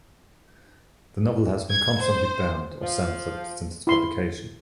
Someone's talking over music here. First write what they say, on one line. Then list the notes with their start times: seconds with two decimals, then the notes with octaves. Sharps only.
The novel has been constantly banned or censored since its publication.
1.71 G#6
2.02 C5
2.81 F3
3.87 E4 C6